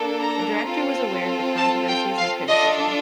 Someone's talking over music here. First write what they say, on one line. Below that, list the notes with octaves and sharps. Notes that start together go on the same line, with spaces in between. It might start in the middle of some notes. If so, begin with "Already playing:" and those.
The director was aware of the controversies and criticism.
Already playing: A#3 D4 A4
A#5
C4 F4 A4
A5
G5
F5
D4 F4 A4 D#5